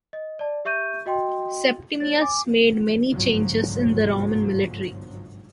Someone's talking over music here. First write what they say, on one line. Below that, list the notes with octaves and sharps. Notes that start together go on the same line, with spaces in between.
Septimius made many changes in the Roman military.
D#5
D5 A5
G4 E5 C#6 G6 D#7
F#4 D#5 G5 C6
C#5 A6
G#5 D6
G1 C2 G#2 D3 F3 F#3